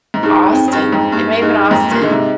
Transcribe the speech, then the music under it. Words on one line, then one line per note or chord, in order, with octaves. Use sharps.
Austin, it may have been Austin
G#2
G2 D#4 G#4
F2 C4
F2
G2
D#4 G#4
F2 G#2
G2 A#3
G2 D#4 G#4 D#5
F2 G#2 A#3
G2 A#2
D3 D#4 G#4 D#5
G#2 C3